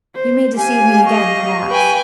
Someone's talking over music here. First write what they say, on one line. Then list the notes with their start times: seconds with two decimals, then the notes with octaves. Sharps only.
You may deceive me again, perhaps.
0.15 C5
0.57 G4 F5 G#5
1.06 D#5 C#6
1.70 B4 G5 G#5